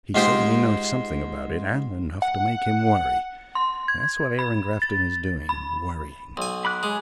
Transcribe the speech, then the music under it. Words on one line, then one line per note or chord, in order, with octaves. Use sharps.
But he certainly knows something about it, and enough to make him worry. That's what Aaron Grafton is doing--worrying.
G#2 F4 G4 C5 D#6
F#5
C6
G#6
B5
A6
B5
B1 G#5
B5 D6 F#6
G#3 G#5